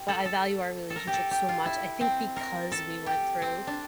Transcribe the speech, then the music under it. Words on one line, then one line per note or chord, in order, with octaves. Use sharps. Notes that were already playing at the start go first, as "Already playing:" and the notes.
But I value our relationship so much, I think because we went through
Already playing: G4
A4
A4
A4
A#4
G4
A4
G4
F4
E4
C4
A#4
A4
G4
C4
D4